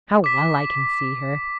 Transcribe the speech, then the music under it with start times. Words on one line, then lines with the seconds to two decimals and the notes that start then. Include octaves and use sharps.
How well I can see her!
0.24 D6 B6